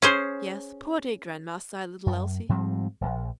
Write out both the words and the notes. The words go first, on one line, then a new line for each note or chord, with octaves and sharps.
"Yes, poor dear grandma!" sighed little Elsie.
C#4 G#4 C5
F#2
G#2 F3 G3 C4
D#1 A#1